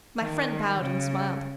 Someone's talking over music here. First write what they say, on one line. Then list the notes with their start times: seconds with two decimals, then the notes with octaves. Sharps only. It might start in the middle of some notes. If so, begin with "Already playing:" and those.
My friend bowed and smiled.
0.18 D#3
0.79 C#3